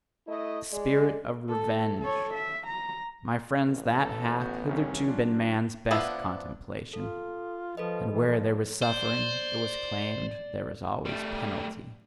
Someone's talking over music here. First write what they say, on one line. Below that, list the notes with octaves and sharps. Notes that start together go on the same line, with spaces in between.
THE SPIRIT OF REVENGE: my friends, that hath hitherto been man's best contemplation; and where there was suffering, it was claimed there was always penalty.
A3 E4 D#5
G#3 D5
A4
A4 C#5
E5
A#5
A1
A4
B3 F#4 G6
C2 C3 D#3 C#4
F#3 D4 F4
F3 B3 D4 E4
F4 A4
F3 A4 B4 D#5
E3
F3
C5 D5
G3 A3